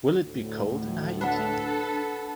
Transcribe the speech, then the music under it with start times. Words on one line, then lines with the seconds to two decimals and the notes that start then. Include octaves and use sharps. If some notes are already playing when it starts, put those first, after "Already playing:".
Will it be cold in Haiti?
0.25 D2 A2
1.21 D4 A4 B4 F#5